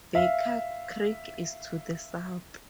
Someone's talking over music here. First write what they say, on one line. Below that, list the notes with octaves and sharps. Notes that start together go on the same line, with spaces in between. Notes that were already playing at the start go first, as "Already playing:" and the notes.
Baker Creek is to the south.
E5 F5